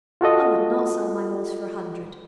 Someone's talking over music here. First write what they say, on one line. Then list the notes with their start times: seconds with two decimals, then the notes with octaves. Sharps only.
I would not sell my horse for a hundred.
0.21 F4 F#4 A4 D#5